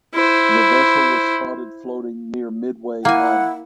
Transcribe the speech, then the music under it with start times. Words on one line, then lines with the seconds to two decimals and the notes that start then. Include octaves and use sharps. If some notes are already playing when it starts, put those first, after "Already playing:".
The vessel was spotted floating near Midway Island.
0.14 E4 C5
3.05 A#3 E4 F#5 G#5